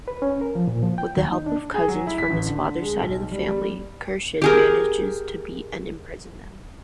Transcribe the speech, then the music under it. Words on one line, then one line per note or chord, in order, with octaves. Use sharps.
With the help of cousins from his father’s side of the family, Khurshid manages to beat and imprison them.
B4
C#4
A#4
F3
A#2
F3
G5
D#2
D#4
D4
G#4
F#3
E4
B6
A1
D3
G#3
B1
G3
G3
G4 G#4 A#4